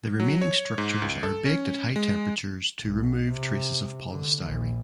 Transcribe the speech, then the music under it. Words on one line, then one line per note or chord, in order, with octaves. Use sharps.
The remaining structures are baked at high temperatures to remove traces of polystyrene.
F#3
C#5
G#2
C#2
A4
C#4
G#3
B1
C3
D3
A#1